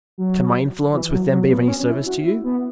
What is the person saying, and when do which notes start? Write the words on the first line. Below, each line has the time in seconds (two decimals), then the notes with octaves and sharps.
"Can my influence with them be of any service to you?"
0.18 F#3
0.93 E3
1.12 F#3
1.31 F#3
1.50 B3
1.64 B3
1.68 C#4
1.88 E4
2.06 F#4
2.25 E4
2.44 B3